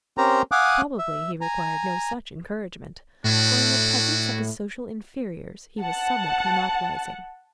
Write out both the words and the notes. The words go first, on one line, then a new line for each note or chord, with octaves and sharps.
Probably he required no such encouragement, for in the presence of his social inferiors he was somewhat monopolizing.
C4 C#4 G4 A#4 C5 A#5
F5 F#5 G#5 D6 D#6 F#6
E5
G#5 A#5
A2 D4 E4 F#4
F#5 A5